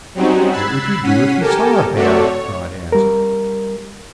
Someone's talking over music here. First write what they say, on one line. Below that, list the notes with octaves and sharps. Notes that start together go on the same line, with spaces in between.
"What would you do if you saw a bear?" Pod asked.
F#3 G3 C4 C#4 D#4 F#4
B5 E6 F#6 G#6 A6 C7
C#4 F#5 B6 C7 D#7
G4 A4 A#4 G#5
C3 A3 F#4 A4 C#5 D5
C#5
G3 A#4